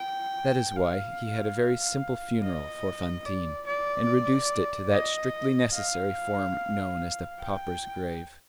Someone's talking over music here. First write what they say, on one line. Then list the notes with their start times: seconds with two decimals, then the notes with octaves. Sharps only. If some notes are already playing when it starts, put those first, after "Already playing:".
That is why he had a very simple funeral for Fantine, and reduced it to that strictly necessary form known as the pauper's grave.
Already playing: G5
0.76 F5
2.43 D#5
3.25 D5
3.67 D5
4.92 D#5
5.74 F5
7.40 G5